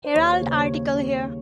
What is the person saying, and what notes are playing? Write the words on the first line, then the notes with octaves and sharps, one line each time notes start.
Herald article here.
C5
D#2 C#5
C#5
C5
C#3 G3 A#3
C#5